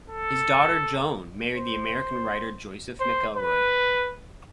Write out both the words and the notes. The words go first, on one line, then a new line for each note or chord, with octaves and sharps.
His daughter Joan married the American writer Joseph McElroy.
A4
C5
C5
B4